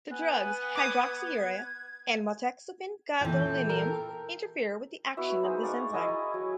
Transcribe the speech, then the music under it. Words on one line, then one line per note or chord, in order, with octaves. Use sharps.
The drugs hydroxyurea and Motexafin gadolinium interfere with the action of this enzyme.
B3 G#5 F#6
D6 D#6 G#6
A#2 E3 A4 G5
A#4
B3 E4 F#4 E5
D#4 G#4 C5
D5 F5 F#5 C#6
E4 A#4 D#5 G#5
F#3